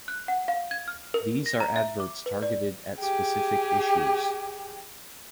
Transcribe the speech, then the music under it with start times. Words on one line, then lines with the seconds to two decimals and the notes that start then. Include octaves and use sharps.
These are adverts targeted at specific issues.
0.08 F#6
0.28 F#5
0.48 F5
0.71 G#6
0.88 F6
1.14 A#4
1.46 A#6
1.60 A#5
1.76 E5
2.00 D6
2.26 B4
2.42 D5
3.00 G4 G#4